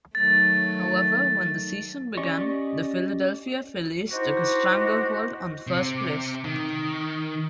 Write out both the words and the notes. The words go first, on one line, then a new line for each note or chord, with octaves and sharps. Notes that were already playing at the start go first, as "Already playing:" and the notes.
However, when the season began, the Philadelphia Phillies took a stranglehold on first place.
D#3 F#3 A3 A6
C#4 G4 D5 D#5 C#6
D#4 E4 F#4 G4 C5
C3
D#3